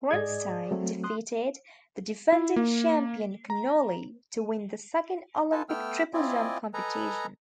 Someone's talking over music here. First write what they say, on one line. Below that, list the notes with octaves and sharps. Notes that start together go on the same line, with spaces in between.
Prinstein defeated the defending champion Connolly to win the second Olympic triple jump competition.
G#2 G#4 D5 D#5 G#6
F#3 A3 C4
C6 D#6 F#6
E4
A#3
A#5
D#4 F4 A4 B4 G#5 A5
A3 B3 G5 E6 F6
C4 E4 F4 D5 D#5 G#5
A4 B4 D#5 G#5 A#5